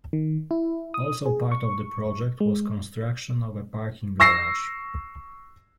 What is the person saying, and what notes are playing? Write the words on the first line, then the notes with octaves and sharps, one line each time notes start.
Also part of the project was construction of a parking garage.
D#3
E4
D#6
G#4
C#6
G#3
C#6 E6 A#6 C7